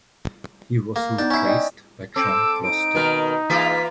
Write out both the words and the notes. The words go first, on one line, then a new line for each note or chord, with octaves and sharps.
He was replaced by John Gloster.
A#3
B3 D4 D#4 G6
C#4 E4
D5 D#5 G5
C4 A4 D6 E6
D#4 D7
B2 D#3 A#4
E3 G#3 A#3 F4 B6